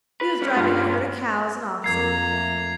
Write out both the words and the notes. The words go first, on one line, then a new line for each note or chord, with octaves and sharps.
He was driving a herd of cows and oxen.
B4
D2 C#4
G2 F4
F2 A#3 A#5 G#6 C7
A3